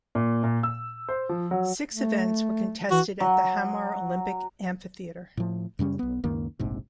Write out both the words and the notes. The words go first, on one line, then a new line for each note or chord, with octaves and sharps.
Six events were contested at the Hamar Olympic Amphitheatre.
A#2
A#2
E6
C5
F3
F#3
A3
E3 F#4
F#3
A2 F3
F#2 C#3 G3 C#4
B1 B3
C#2 F#2 D#3 A#3
F1 A#1 G#2 C3